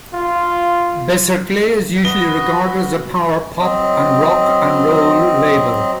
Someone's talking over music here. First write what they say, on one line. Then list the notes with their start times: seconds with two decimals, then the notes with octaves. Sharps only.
Beserkley is usually regarded as a power pop and rock and roll label.
0.14 F4
2.05 F#4 B4 D#5 G7
3.61 F#3 C4 D#5